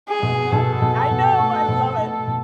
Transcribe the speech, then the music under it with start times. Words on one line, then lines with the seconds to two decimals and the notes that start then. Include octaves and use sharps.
Uh-huh. I know, I love it.
0.09 G#4
0.23 B2
0.52 B2 A4
0.82 B2
1.11 B2
1.39 A3
1.68 B2
1.97 A3
2.27 B2